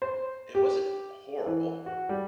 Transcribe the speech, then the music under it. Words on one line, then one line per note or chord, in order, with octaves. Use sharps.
It wasn't horrible.
C5
G4
E3
F#4
G3